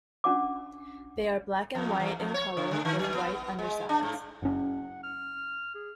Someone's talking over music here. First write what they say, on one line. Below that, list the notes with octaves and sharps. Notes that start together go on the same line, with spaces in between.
They are black and white in colour, with white undersides.
C#4 D4 F#5 D6
F2
E2
F2
C#5
D3
D3
D#3
F#3
B3
G#3
D4
G#2
F#1 C#4 F#5
F6
G#4